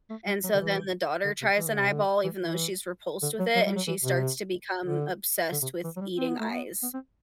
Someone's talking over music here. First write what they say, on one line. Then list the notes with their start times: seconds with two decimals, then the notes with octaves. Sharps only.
and, so, then the daughter tries an eyeball even though she's repulsed with it, and she starts to become obsessed with eating eyes.
0.10 A3
0.27 G3
0.44 F#3
0.54 D3
0.59 E3
1.25 D3
1.41 C3
1.57 E3
1.69 D3
1.81 C3
1.91 D3
2.24 E3
2.40 E3
3.22 D3
3.39 F#3
3.55 F#3
3.66 G3
3.76 F#3
3.87 E3
4.04 C3
4.85 D3
5.52 D3
5.62 C3
5.84 E3
5.96 F#3
6.00 G3
6.17 C4
6.28 B3
6.40 A3
6.52 B3
6.83 B3
6.93 C4